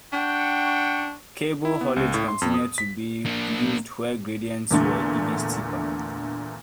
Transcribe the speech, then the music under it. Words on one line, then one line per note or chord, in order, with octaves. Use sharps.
Cable haulage continued to be used where gradients were even steeper.
D4 F#5 G5 C#6
E4
B3
C#2
A2
C6
F2
D#6
B6
A#3 D4
E2 A#2 D3 A3